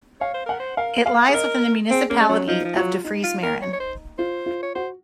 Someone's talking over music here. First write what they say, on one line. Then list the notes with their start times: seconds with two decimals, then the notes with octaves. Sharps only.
It lies within the municipality of De Friese Meren.
0.21 C#5 F5
0.34 C5
0.46 A#4 F#5
0.60 C5
0.77 A#4 F5
1.06 F5
1.29 G#4
1.34 A#4 D#5
1.91 C4 G#4
2.10 A#3 C#4
2.21 G#3
2.29 F#3 C#4
2.47 F3 D#4
2.65 F3
2.76 F#3 F4
3.04 D#4
3.24 F4
3.43 A#4
3.62 C#5
3.73 C#5
3.80 C5
4.18 F4 C5
4.46 F4
4.63 C#5
4.75 F#4 C5